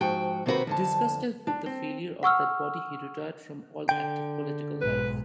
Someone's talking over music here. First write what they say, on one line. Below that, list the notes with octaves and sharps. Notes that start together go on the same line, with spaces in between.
Disgusted with the failure of that body, he retired from all active political life.
G#2 F3 F#4 G5
C3 D#3 C4 D#4 F#4 B4
F2 D3 A5
D4
C4
F#5 C#6 E6 F6
D3 G5
B1 G#2 B4